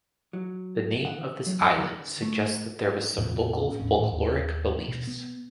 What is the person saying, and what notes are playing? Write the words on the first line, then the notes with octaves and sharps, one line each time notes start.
The name of this islet suggests that there were some local folkloric beliefs.
F#3
F#5
F#3
D3
A3
E2 A2 C3 B3
D#2 A2 C#4
A2 D#3
D#2
B2
B3